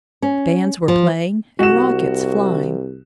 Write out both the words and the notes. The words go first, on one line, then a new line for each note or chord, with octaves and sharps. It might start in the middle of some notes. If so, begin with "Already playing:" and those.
Bands were playing and rockets flying.
C#4
F3
C2 F#4 E7